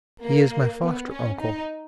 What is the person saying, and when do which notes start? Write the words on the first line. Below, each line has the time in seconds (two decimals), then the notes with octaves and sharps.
"He is my foster-uncle."
0.23 A#3
0.81 B3
1.10 C#4
1.39 D#4